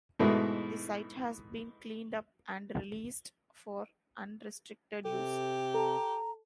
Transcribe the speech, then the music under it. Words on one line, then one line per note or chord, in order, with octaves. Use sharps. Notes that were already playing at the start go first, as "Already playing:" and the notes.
The site has been cleaned up and released for unrestricted use.
G#2 B2 E3 G#3 A3
C3 G4 A4
A4 A5 A#5